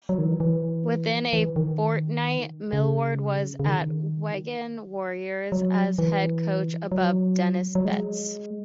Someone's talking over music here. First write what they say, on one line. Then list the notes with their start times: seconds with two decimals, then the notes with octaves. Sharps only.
Within a fortnight, Millward was at Wigan Warriors as head coach above Denis Betts.
0.09 F#3
0.18 D#3
0.25 E3
0.40 E3
1.33 E3
1.56 D#3
2.73 C#3
3.60 C#3
3.66 D#3
5.52 F#3
5.98 E3
6.92 F#3
7.75 F#3
7.85 G#3